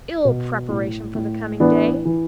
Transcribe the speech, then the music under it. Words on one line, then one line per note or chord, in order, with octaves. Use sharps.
Ill preparation for the coming day!
B2
A2
A2
E3 B3 D4
E3